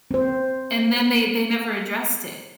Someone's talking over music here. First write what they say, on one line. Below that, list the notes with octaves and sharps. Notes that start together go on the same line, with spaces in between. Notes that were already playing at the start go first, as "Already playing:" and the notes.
and then they they never addressed it,
C4 C5